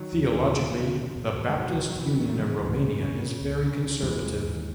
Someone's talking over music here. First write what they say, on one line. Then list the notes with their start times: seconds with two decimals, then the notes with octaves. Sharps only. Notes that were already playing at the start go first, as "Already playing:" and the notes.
Theologically, the Baptist Union of Romania is very conservative.
Already playing: D#3 F#3
0.13 D#2
0.34 D#2
0.54 C#3
0.74 B2
0.95 B2
1.16 E2
1.36 E2
1.49 G#3
1.56 B2 D#3 F#3
1.77 E2 D#3
1.89 F#3
1.98 E2 E3
2.18 B2 D#3 F#3
2.28 A3
2.38 C#3 E3 G#3
2.59 C#2
2.80 C#3
2.99 C#3
3.21 C#3
3.41 C#2
3.62 C#3
3.82 C#3
4.02 D#2 E3 G#3
4.23 D#2
4.44 D#2